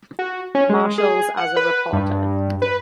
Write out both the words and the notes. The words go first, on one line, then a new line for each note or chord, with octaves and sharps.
Marshals as a reporter.
F#4
C#4
G#3
G#4
F#5
B4
G2
B4